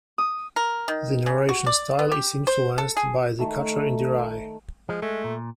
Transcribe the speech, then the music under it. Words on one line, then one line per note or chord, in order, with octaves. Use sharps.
The narration style is influenced by The Catcher in the Rye.
D#6
A#4
D#3
C#3
F#4
D5
B3
G4
C5
A4
G#4
D#3 A3
F3 G#3
G#3 A3
A#2